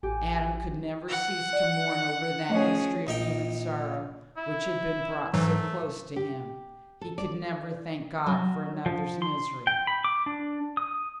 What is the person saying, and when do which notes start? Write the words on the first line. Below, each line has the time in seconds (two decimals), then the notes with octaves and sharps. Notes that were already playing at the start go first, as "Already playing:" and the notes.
Adam could never cease to mourn over that mystery of human sorrow which had been brought so close to him; he could never thank God for another's misery.
0.03 A1 G4 G#5
1.09 F#5
1.53 D5
2.49 F3 A3 C#4 G#4 D#5
3.07 A#1 D#4 A#4 G5
4.37 E4
5.34 G#2 E3 F#3 A3
6.16 G4
7.01 A4
7.18 D5
8.26 F#3
8.86 F3
9.22 C6
9.67 G5
9.87 B5
10.04 D6
10.26 D4
10.77 D#6